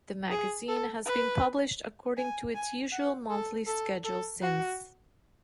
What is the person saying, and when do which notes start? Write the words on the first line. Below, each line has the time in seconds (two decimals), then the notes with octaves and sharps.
The magazine has been published according to its usual monthly schedule since.
0.31 G#4
0.68 A4
1.06 B4
2.17 G#5
2.55 G#5
2.92 F#5
3.30 A4
3.67 A4
4.04 A4
4.41 F#4